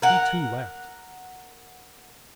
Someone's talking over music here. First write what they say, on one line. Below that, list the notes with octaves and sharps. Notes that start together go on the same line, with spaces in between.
He, too, laughed.
A#4 F#5